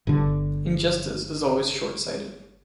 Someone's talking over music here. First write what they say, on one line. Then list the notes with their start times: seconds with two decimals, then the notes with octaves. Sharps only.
Injustice is always short-sighted.
0.07 G1 D3